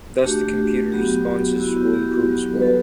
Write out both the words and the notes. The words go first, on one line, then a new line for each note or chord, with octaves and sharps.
Thus the computer's responses will improve as well.
A3 D4 F#4 G4
F#3 B3 F#4 G4
B3 E4 F#4
G4
G4
F#3 B3 F#4
B4
F#4 A4